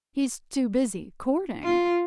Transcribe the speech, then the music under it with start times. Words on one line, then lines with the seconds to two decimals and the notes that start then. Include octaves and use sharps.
"He's too busy, courting."
1.64 F4